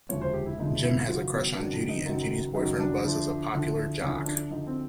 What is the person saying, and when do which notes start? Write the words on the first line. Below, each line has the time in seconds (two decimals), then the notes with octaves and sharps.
Jim has a crush on Judy and Judy's boyfriend Buzz is a popular jock.
0.09 E1 D2 C#3 F3 C#5
0.22 C5
0.34 G4
0.46 E4
0.58 E1 D2 C#3 F3 D#4
0.83 E4
1.07 F#1 F#2 D#3 F#3 F4
1.32 B3
1.56 F#1 F#2 D#3 F#3 D4
1.72 D4
1.89 D#4
2.06 F#1 F#2 D#3 F#3
2.55 F#1 F#2 D#3 F#3 D#4
2.79 D4
3.03 D2 D3 F3
3.52 D2 D3 F3
4.01 D2 D3 F3 C#4
4.26 D4
4.50 D2 D3 F3 D#4
4.67 C4